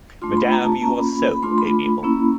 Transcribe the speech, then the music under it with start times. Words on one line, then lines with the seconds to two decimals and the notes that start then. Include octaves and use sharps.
Madame, you are so amiable!
0.22 A3 D4 F4 C6
0.37 B5
0.52 A#5
0.62 A5
0.72 A5
0.82 A#3 C#4 F4 A#5
0.97 B5
1.13 B5
1.28 B5
1.42 A3 D4 F4 C6
1.58 B5
2.03 A#3 C#4 E4